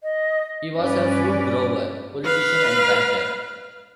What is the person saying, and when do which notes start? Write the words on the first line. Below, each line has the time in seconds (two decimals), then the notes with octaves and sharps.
He was a fruit-grower, politician and banker.
0.03 D#5
0.75 G2 C#4 B4 D5
2.25 B4 F5